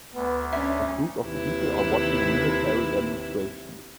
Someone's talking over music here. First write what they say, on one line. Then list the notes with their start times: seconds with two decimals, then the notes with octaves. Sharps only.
A group of people are watching a military demonstration.
0.15 D2 B3
0.53 C#4 D4 E5
1.24 D#2 C3 E4 B4